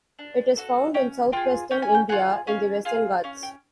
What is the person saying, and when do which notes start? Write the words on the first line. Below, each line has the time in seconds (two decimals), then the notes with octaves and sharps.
It is found in southwestern India in the Western Ghats.
0.19 D4
0.57 F#4 A4
0.94 C#4 G5
1.32 F4 G#4 G5
1.71 C#4 G5
1.82 G#5
1.95 G5
2.09 F4 G#4 F#5
2.47 C#4 F5
2.85 F4 G#4 F5
3.24 C#4 F5
3.43 G5